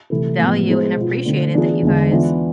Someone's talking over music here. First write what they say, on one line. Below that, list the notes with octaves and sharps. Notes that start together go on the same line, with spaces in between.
value and appreciated that you guys,
C3 E3 A3 E4 A4
A2 F3 G#3 B3
G#3 B3 E4 G#4 C5
B2 B3 F4
D3 A3 C4
E3 B3 D4 F4 G#4
E2 D3 G#3
E3 B3 D4 F4